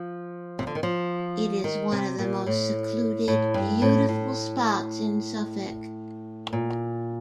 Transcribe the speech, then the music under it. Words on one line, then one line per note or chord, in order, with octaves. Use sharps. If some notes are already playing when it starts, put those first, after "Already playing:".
It is one of the most secluded, beautiful spots in Suffolk.
Already playing: F3
C3
D3
D#3
F3
D#3
C3
A#2
A2
A2
G2
A2
A2
A#2